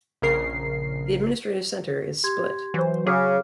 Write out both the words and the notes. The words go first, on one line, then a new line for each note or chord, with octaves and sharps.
The administrative center is Split.
A#1 C#3 A#4 C7
G4 C6 G#6
E3 F#3 C5
C#3 F#3 G#4 D6 F6